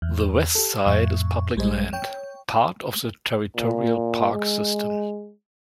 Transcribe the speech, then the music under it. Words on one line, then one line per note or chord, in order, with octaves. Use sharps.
The west side is public land, part of the Territorial Park System.
E2
G4 A4
F2 A2 E5 C#6
A#1 G3 G#3 G#4 C5 D#5
C#5 G5
A#2
G#3